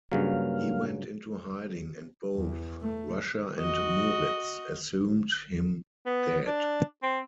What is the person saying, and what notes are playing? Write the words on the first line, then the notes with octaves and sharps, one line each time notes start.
He went into hiding and both Russia and Murids assumed him dead.
G2 C#3 F#3 A#3 F5
E2
A3
F#4 D#5
B3
D4
C4